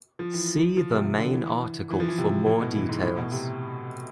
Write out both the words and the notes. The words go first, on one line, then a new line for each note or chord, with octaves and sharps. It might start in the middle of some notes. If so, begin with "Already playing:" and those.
See the main article for more details.
F3
E3
F3
C3
C3
D3
E3
E3
F3
E3
C3
A2
B2
E3
G#2
A2
B2
C3